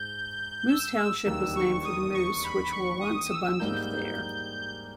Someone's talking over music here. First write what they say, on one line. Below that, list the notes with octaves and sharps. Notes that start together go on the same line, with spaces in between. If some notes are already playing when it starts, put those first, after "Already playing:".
Moose Township was named for the moose which were once abundant there.
Already playing: G#2 G6
E6
E6
E1 D#2 D#3 G3 A#3 E6
C#6
D#6
C#6
B5
C#6
D#6
E6
G#2 G3 A#3 D#4 G6